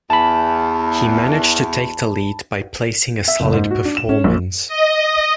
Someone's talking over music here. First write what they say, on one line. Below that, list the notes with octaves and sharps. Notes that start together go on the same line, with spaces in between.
He managed to take the lead by placing a solid performance.
E2 A5 B5
E5
F#1
G#2
F#4
D4
E7
C#4
A#1
D#5